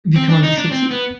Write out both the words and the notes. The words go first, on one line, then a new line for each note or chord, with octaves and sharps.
Wie kann man sich schützen?
C4
D4
D#4
D4
C4
B3